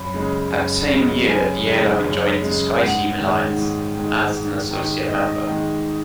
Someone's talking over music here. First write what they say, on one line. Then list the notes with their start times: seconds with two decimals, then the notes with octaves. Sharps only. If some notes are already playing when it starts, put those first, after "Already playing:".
That same year, the airline joined the SkyTeam alliance as an associate member.
Already playing: F#2 B5
0.14 C#3 G#3
0.52 F#2
0.90 C#3 G#3
1.28 F#2 G#5
1.66 C#3 G#3
2.04 F#2
2.42 C#3 G#3
2.80 G#2 F#5
3.18 D#3 G#3
3.57 G#2
3.95 D#3 G#3
4.33 G#2
4.71 D#3 G#3
5.08 G#2 D#5
5.47 D#3 G#3